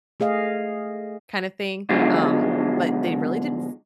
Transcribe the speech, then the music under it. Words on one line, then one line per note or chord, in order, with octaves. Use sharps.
kinda thing, um, but they really didn't
A3 G#4 D#5 F5
G#2 B2 D3 F3 F#3 G#3